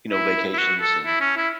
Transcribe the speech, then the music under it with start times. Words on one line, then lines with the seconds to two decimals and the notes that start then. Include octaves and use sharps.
you know, vacations, and
0.09 E4
0.53 E4
0.58 F#4
0.81 A4
1.06 E4
1.21 C#4
1.37 E4